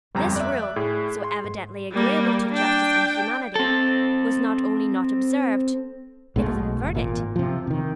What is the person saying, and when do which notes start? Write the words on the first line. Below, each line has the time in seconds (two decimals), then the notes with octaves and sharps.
This rule, so evidently agreeable to justice and humanity, was not only not observed: it was inverted.
0.15 G1 F2 G3 A#5
0.36 D5 E5 F#6
0.76 A2 G#4
1.24 C6
1.44 G#2
1.92 G3 A#3
2.52 D4 G5
3.55 C4 A4
6.36 B1 B2 G#3 A3
6.80 F#1
6.95 G#1 A#2
7.36 C3 F3
7.67 C3 D#3